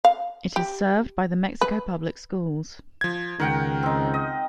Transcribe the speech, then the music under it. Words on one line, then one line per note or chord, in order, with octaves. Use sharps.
It is served by the Mexico Public Schools.
F5
G4
B4
F3 G#6
C#2 D#3 A#4 F#5 G5
C4 D#4
D#5